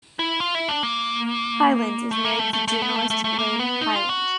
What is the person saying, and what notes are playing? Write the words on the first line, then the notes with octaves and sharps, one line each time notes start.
Hyland is married to journalist Lynne Hyland.
E4
F4
E4
D4
A#3
A3
A#3
A3
A3
A3
B3
A3
A3
A3
A#3
B3
D#4
F4
F#4